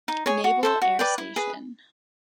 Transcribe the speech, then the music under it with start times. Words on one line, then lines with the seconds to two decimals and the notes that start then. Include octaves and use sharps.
Naval Air Station.
0.08 D#4
0.26 G#4 C#5
0.44 F#4
0.63 A4 C5 E5
0.82 F#4
0.99 B4 D5 G5
1.18 E4
1.36 G#4 B4